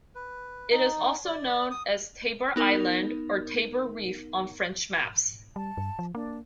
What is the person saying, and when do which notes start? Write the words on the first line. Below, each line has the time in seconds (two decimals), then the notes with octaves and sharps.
It is also known as Tabor Island or Tabor Reef on French maps.
0.15 B4
0.71 D#4
1.25 D5
1.71 D#6
2.56 B3 D#4 A#4
5.56 G3 A5
5.77 G2
5.99 F3
6.15 A#3 D4